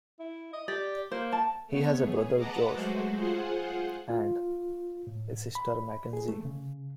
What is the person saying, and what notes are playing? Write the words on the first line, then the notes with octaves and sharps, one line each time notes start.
He has a brother, Josh, and a sister, Mackenzie.
E4
D#5
G4 D5
A#3 C5
A5
A3 B3 C#5
G#4
B4 D#5 F#5 A5 A#5 D6
F#3 G#3 A3 F#4 C5
F4 G#4 C5 F#5
F4
A2
B5
G#4
A3
C#3